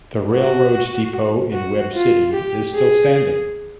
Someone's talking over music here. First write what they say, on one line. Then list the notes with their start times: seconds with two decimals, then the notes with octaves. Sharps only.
The railroad’s depot in Webb City is still standing.
0.32 F#4
1.53 F#4
1.94 F4
2.33 G4
2.74 G#4